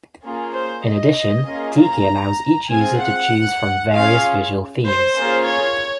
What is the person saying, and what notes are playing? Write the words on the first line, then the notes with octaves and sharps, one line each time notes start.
In addition, Tiki allows each user to choose from various visual themes.
A#3 C#4 F4 G#4
C5
D#5
A#3 C#4 F4 G#4
A#5
C4 F4 G#4 G#5
F#5
C#4 F4 G#4 F5
C5
A#3 C#4 F4 G#4
C#5